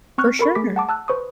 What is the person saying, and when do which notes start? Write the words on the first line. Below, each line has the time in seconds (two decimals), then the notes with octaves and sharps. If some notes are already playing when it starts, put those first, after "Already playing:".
For sure.
0.18 C4 C#6 F6 F#6
0.39 A4 A#4 B5 C#6
0.55 A3 G#4 D6 B6
0.76 F#5 A5 D6
0.89 A5 E6 F#6
1.08 B4 C5 C#6 D#6